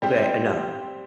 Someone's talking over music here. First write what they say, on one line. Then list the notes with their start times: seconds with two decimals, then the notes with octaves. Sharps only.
okay, eh, none."
0.02 G3 C4 G4